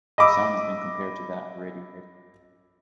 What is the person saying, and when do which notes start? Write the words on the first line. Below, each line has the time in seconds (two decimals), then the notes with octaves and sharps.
Their sound has been compared to that of Radiohead.
0.18 D#5 B5 D6 E6